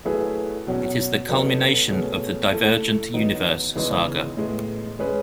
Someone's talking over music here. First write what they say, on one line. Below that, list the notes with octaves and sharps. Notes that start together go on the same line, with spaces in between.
It is the culmination of the "Divergent Universe" saga.
F#3 A3 E4 G#4 B4
B2 F#3 C#4
F#3 B3 D#4 A4
B2 A3 C#4 G#4 B4
A3 E4 A4
D#3 F#3 B3 D#4
C#3 E3 G#3 B3 D#4
A2 G#3 B3
G#3 C#4 G#4 B4